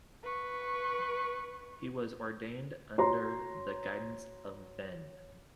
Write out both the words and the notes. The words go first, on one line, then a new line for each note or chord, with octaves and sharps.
He was ordained under the guidance of Ven.
B4 C#6
F#4 C#5 A#5 C6